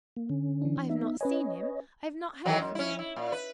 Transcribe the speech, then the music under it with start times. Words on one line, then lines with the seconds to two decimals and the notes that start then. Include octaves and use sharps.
I have not seen him; I have not heard from him.
0.17 A#3
0.29 D3 C#4
0.62 E3 D4
0.90 B3 D#4 E5
1.21 C#4 B4 C#5 D#5 G#5
2.45 D#3 E3 F#3
2.60 F#2
2.75 C#4 E4
2.99 E4
3.16 A#2
3.32 B4